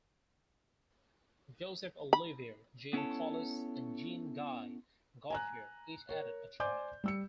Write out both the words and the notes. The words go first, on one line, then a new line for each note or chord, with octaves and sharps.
Joseph Olivier, Jean Collas, and Jean-Guy Gauthier each added a try.
B5
B3 C#4 E4 A4 C#5 A5
G#5 A#5 F#6
A#4 C#5
C5 D5 G#5 C6 D6 G6
G3 E6 C#7